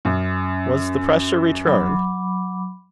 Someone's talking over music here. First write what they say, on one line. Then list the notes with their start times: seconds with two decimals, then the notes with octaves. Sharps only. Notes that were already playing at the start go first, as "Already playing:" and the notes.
Was the pressure returned?
0.05 F#2
1.66 F#3 B5 D6